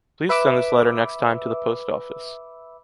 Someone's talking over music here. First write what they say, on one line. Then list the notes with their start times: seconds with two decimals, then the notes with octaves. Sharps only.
Please send this letter next time to the post office.
0.29 B4 E5 B5 D6 E6